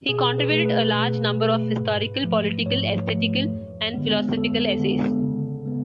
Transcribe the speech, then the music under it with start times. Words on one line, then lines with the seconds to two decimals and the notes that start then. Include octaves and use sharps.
He contributed a large number of historical, political, esthetical and philosophical essays.
0.09 B2 G#4
0.38 B4
0.51 A3
0.66 B4
0.95 B2
1.37 A3
1.81 G#2
2.23 F3 A3
2.66 G#2 C#5
3.09 F3 A3
3.51 F2
3.94 D3 G#3 B3
4.37 F2 A4
4.80 D3 G#3 B3
5.22 C#3
5.66 G#3 B3